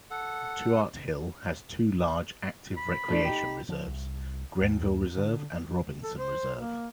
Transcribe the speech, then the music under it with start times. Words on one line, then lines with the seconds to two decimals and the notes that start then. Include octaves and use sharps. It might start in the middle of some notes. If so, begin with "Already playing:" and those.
Tuart Hill has two large active recreation reserves: Grenville Reserve and Robinson Reserve.
0.11 A4 F#5
2.77 B5
3.08 F3 A3 D4
3.25 D#4 G4
3.69 F3
3.87 C2
4.61 D#2
5.18 D3
6.04 A4
6.18 C5
6.60 A#3